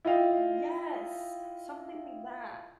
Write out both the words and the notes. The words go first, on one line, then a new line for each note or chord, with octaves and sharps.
Yes, something like that.
E4 F4 D#5 F5 G5